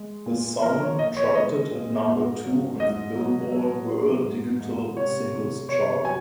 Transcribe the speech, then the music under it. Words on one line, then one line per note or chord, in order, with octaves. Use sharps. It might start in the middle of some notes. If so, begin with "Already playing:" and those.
The song charted at number two on the "Billboard" World Digital Singles chart.
Already playing: G#3
A#2
F3 A#4
C#5
A#2 D#5
C#5
G#3 D#5
A#2
G#2
F#3
G#2 D#5
F#3
F#3
F#3
G#2
G#2
C3 C#5
C3
C3 C#5
F#3 G#5